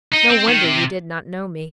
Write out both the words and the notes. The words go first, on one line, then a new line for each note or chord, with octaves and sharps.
No wonder you did not know me.
D#4
C4
D#3
C3